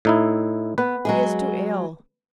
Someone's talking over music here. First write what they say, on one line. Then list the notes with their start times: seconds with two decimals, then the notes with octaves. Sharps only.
"He is too ill."
0.05 A2 D#4 E4
0.78 B3 B4
1.05 F#3 G#3 G#4